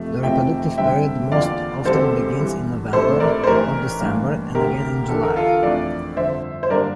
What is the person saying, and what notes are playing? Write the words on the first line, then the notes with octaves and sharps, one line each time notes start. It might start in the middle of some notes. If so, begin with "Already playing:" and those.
The reproductive period most often begins in November or December, and again in July.
Already playing: F2 C3 F3 A3
F1 E2 C3 F3 C4 E5 G5
G2 D3 G3 C4 E5 G5
E2 D3 F3 A#3 D5 F5
E1 E2 D3 G3 C4 A4 C5
G2 E3 G3
A#1 A2 G3 C4 A4 C5
A#4 D5
C5
A1 A2 E3 G4 A#4
A1 G2 E3 A#3 D4
D2 D3 G3 G4 A#4
E2 D3 G3 D4 A4
A#4
F4 A4
F2 E3 A3 D4 D5 F5
G1 F2 D3 C5 E5
C5
G2 D3 G3 A#3 D4 A#4 D5